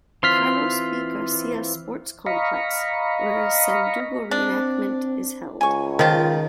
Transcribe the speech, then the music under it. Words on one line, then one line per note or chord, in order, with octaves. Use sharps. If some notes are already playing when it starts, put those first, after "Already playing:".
Carlos P. Garcia Sports Complex where a Sandugo Re-enactment is held.
E3 C4 F4 C6 F6 B6
D#5 F5 A#5 B5 C#6
C4 D4
C#2 G#5 C#6
D#3 F3 F4